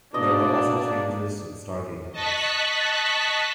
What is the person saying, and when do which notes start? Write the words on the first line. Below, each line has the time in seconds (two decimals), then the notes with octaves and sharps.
There were also changes to the Stargate device.
0.14 B2 A#3 D4 D5 D#5
2.12 D#5 A5 C#6 F#6 B6